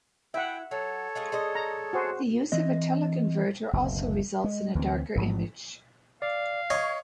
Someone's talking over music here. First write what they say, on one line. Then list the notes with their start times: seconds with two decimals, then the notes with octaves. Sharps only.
The use of a teleconverter also results in a darker image.
0.34 E4 E5 F#5 G5
0.71 F#3 A4 C#5
1.15 G#3 F4 G#4
1.32 G#3 D4 D#5
1.55 A#5
1.93 F#4 G#4 C5
2.52 E3 C4 D#5
3.73 F#1 D2 B2
4.44 G#3
4.75 D2 E3 A#3 C4
5.15 A1 G#2 F3
6.22 D5 F5
6.70 C#5 D#5 C#6 G#6